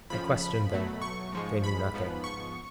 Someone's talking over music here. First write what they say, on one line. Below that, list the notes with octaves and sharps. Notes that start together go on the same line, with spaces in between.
I questioned them. They knew nothing.
F2 C#3 F3 B5
B5
B2 F#3 A3
C#6
G#2 F3 G#3
B5
G#2 F3 B3
C#6